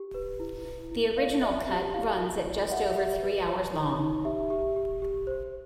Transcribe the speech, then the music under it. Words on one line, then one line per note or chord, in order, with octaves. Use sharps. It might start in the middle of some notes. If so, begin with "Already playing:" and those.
The original cut runs at just over three hours long.
Already playing: G4
B4
E4
E4
E4
D5 F5
D5 E5
G4
E4 F5
E4
C#5
G4 E5 F#5
G4
B4
C#5
D#4
D#4
G4 E5
G4
G4
G4
C5